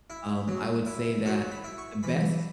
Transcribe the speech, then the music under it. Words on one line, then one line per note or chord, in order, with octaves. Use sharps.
um, I would say that the best
E4
F#3
E4
F#3 F#5
B5
E4
C#6
E3 B5